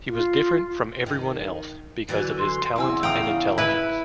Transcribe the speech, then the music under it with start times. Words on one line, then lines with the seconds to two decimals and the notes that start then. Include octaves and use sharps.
He was different from everyone else because of his talent and intelligence.
0.09 F4
1.06 D#3
2.08 D3 E3 F#3
2.39 C6
2.76 E2 C#3 C4 E4 G#5 E6
3.03 F5 G5 A#5 D#6
3.58 E4 B4